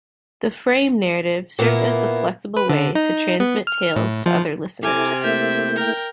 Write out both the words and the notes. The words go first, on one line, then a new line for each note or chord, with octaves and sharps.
The frame narrative served as the flexible way to transmit tales to other listeners.
A#2 A#3 B3 E4
B4
D3
D#4
B3
F6
A2
F3
C3 E4 A4 G#5 A#5 D6 F6
A3 A#3 E4 E5 G6
A#4 G5